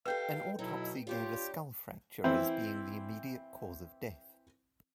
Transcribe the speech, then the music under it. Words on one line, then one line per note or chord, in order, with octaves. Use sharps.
An autopsy gave a skull fracture as being the immediate cause of death.
D#4 G4 A4 B4 F5 G5 G6
B2 F#3 D#4 E4
G3 D4 F4 G4 C#5
E3 C4 E4